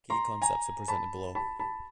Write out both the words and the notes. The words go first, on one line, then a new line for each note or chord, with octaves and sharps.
Key concepts are presented below.
A#5 C6
G#5 A#5
A5 B5
A5 B5
A5 B5